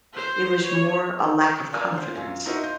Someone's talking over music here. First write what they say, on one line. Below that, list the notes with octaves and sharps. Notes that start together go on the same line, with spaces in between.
It was more a lack of confidence.
C5
C#5
D4 F4 A#4 D5 F5 G#5
F4 C5 F5
F#2 F4 G#5
D#4 E4 F#4 A#4 C5 D#5
D#5 F5 C6 G6